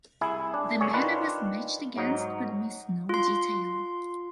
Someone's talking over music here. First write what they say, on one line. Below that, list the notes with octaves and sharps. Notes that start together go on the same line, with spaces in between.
The men I was matched against would miss no detail.
C2 E4 G#4
D4
G2 D3 G#4 C#5
D#3 D4 F4 B4
G#2 F#3 D#4
F4 C6